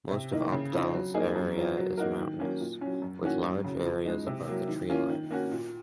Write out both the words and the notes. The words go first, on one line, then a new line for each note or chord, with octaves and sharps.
Most of Oppdal's area is mountainous, with large areas above the treeline.
C3
D#3 A#3 D#4
C#3
F3 C4 D#4
F#3
A#3 D#4 G#4
F#2
F3 C4 F4
F#3
A#3 D#4 F#4 A#4
D#3
F#3 A#3 C#4
A#2
F#3 C#4
F#2
D#3 A#3 C#4 F#4
F#2
C#3 F#3
F3
G#3 D#4
C3
F#3 A#3
D#3
A#3 C#4 F4
D#3
A#3 C#4 F#4
A#2